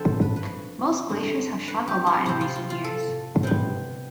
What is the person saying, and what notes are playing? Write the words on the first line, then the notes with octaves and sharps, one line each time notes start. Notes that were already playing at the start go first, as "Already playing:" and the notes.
Most glaciers have shrunk a lot in recent years.
Already playing: F2 D3 F3 B3 A4
B4
B4
G2 D3 A3
B4
G4
E4
C3 F3 C4 E4
F4
F4
F4
A4
C3 G3 B3